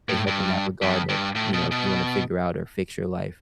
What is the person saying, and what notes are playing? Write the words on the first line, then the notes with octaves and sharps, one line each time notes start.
they help in that regard of, you know, if you wanna figure out or fix your life.
A2
G2
F2
G2
A2
B2
B2